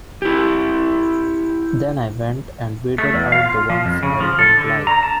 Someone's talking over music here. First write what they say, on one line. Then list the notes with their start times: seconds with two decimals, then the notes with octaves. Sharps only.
Then I went and weeded out the ones I didn't like.
0.22 E4 G4
2.98 A3
3.13 E2
3.32 F5
3.46 F4
3.70 F3
3.85 F2
4.03 C#3
4.20 F3
4.39 A4
4.57 D3
4.87 A#5
5.03 A5